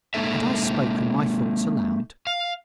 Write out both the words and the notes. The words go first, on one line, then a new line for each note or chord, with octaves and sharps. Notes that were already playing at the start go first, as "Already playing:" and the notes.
Had I spoken my thought aloud?
G#3 A#3 D#4 A4 E5
F5